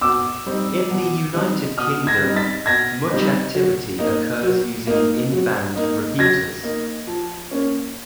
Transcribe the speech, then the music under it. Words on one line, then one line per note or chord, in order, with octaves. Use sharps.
In the United Kingdom, much activity occurs using in-band repeaters.
B2 D6 E6
G3 C4 D#4
B2
G3 C4 D#4
B2 D#6 F6
G#6 A#6
G3 C4 D#4
A6 B6
B2 G#6 A#6
G3 C4 D#4
F#3
A#3 D#4
F#3
A#3 D#4
F#3
A#3 D#4
F#3 G#6 A#6
A#3 D#4
F3
A#3 C#4